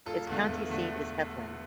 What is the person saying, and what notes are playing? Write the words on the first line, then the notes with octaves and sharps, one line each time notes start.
Its county seat is Heflin.
E1 F4 A4
E2 D3 A3
E1
D3 A3